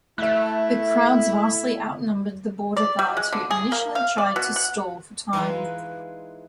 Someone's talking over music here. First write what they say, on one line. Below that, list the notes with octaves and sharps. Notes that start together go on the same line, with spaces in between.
The crowds vastly outnumbered the border guards who initially tried to stall for time.
A3 E4 E5 F#6
D5
G3
G#3
D3
G#4
A#3
F5
D5
B2
F#5
E3 G#3 D#4 F4 B4